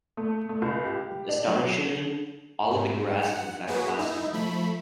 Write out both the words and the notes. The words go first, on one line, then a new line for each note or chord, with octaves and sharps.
Astonishingly, all of the grass is in fact plastic.
A3
A3
C#2
G4
D4
F#3
G#2
F#5
F#3 A#3 F#4 G#4 B4
D#4 E4
F3 A3 B5